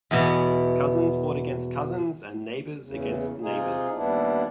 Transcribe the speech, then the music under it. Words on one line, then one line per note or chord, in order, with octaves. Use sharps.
Cousins fought against cousins and neighbors against neighbors.
E2 B2
E2 C#3
C3 D#4 F4 G#4
D#2 G3 B3 D4 E4